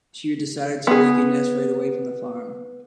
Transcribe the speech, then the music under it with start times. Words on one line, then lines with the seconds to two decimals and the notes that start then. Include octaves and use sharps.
She decided to make a nest right away from the farm.
0.87 B3 G#4